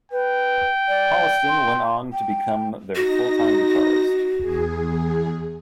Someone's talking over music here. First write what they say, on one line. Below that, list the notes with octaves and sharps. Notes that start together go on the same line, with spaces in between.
Holliston went on to become their full-time guitarist.
B4 G5
D5
C6
G5
D#4 F#4 A#6
E2 G#4